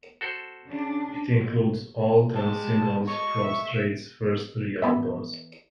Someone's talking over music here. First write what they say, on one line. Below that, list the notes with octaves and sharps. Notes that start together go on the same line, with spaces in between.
It includes all ten singles from Strait's first three albums.
F#4 A4 C5
C#3 D4
G3 G#3 A5
A4 D#5 C#6
E5
E3 B3 E5